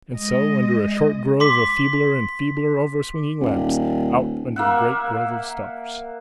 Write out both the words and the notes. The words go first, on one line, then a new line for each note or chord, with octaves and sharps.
And so, under a short grove of feebler and feebler over-swinging lamps, out under the great grove of stars.
G#3 D#5
C6 D6 B6
D#1
A#3 E5 F#5